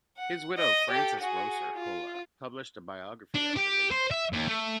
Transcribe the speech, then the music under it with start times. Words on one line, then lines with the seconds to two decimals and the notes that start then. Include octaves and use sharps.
His widow Frances Rosser Hullah published a biography of her late husband.
0.18 F#5
0.58 D#5
0.91 G4 A4
1.21 F#4 G#4
1.76 F4
3.35 D4
3.57 G4
3.91 C5
4.11 E5
4.33 D#2
4.48 A3